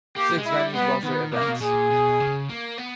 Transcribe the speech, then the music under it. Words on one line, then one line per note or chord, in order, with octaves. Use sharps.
Six venues lost their events.
A#3 G4
A#3
G#3
E4
G3
G#3 B3
G3
D#3 B3
B2 A#3
C#3
B2
A#2 G#4
B2
C#3
A#3
B3